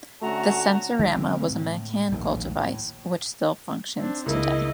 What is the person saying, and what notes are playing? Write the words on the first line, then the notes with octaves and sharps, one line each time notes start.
The Sensorama was a mechanical device, which still functions today.
D3 A3 C#4 F#4 A5 A#5
D#3 G#3
D3 G#3 A#3 C4
A2
A#1 D#2 A2
A2
C4 D4
C#2 A#3 E4 D#5